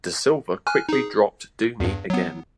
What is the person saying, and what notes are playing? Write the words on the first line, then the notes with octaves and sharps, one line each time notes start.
Da Silva quickly dropped Dooney again.
G#5 F6 F#6
D#4 G#4
E2 G2
F#3 B3